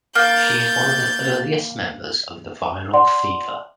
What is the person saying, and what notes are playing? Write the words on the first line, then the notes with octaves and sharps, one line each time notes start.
She is one of the earliest members of The Viral Fever.
A#3 G6 A6
D5 F#5 C6